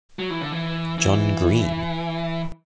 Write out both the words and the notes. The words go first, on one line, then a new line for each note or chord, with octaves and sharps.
John Greene.
F#3
E3
D3
E3
E3